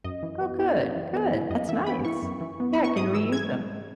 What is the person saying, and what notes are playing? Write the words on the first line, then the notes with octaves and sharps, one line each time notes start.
Oh, good good. That's nice. Yeah, I can reuse them.
F#2 D#5
E3
B3
E4
F#2
E3
B3
E4
F#2 D#5
E3 E5
B3 B5
E4 C#6
F#2
E3
B3
E4 B5
C#6
G#2 D#6
E3 E6
G#3 G#6